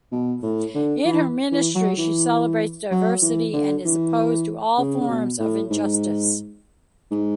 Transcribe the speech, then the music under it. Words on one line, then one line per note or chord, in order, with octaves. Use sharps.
In her ministry she celebrates diversity and is opposed to all forms of injustice.
B2
A2
D3
E3
E3
F#3
E3
F#3
E3
D3
E3
C#3
C#3
B2
A2
G#2
G#2